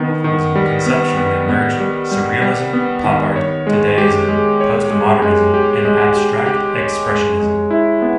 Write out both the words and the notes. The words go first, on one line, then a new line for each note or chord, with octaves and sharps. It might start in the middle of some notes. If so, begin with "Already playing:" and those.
Offalism conceptually merged Surrealism, Pop Art, Dadaism, Postmodernism and Abstract Expressionism.
Already playing: D#3 B3
D#3
G3
B3
B3
B3
G3
G3
G3
B3
D#3
C#5
G#3
G4
G#3
C#5
G#3
G#3
G4
G#3
G4
G4
C#5
G#3
G#3
E4
B3